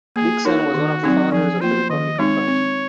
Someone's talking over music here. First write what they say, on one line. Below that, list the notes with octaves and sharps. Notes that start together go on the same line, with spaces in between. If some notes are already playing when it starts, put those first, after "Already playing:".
Dickson was one of the founders of the Republican Party.
A#3 G#4
D#4 F#4 A#4 C#5
D#3
F#3 C4 D#4
F3 G#4
A#3 F4 C5
D#3 D#5
G#3 C4 D#4 C#5
C4